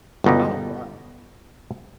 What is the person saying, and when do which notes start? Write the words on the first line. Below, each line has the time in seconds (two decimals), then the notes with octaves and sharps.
Oh, wow.
0.24 G1 C#2 B2 D#4 G4